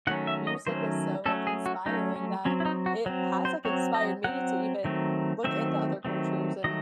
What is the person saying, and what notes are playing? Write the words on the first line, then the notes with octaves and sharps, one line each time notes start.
music is so, like, inspiring that it has, like, inspired me to even look into other cultures and
D#3 F#3 A3 C#4 F#5
E5
D#5
D#3 F#3 A3 C#4 C5
F#3 A3 C#4 A4
G#4
F#4
F#3 A3 C#4 D#4
C#4
F#3 C4 C#4
E4
D#4
F#4
F#3 C4
C5
F#3 C4 C#5
D#5
F#3 C4 F#5
D#3 F#3 A3 C4
D#3 F#3 A3 C4 E5
D#3 F#3 A3 C4
D#3 F#3 A3 D#5